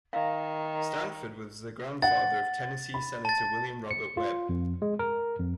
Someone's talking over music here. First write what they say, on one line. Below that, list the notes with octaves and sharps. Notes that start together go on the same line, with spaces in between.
Stanford was the grandfather of Tennessee Senator William Robert Webb.
D#3 F5
F#5 A6
B5
A5 A6
C#7
F4
F2
G#3
A#4
F2